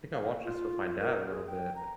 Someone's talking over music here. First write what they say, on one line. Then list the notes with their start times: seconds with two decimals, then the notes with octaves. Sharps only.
think I watched this with my dad a little bit,
0.13 F5
0.44 F4
0.99 A#4
1.30 G#4
1.47 G5
1.76 A#5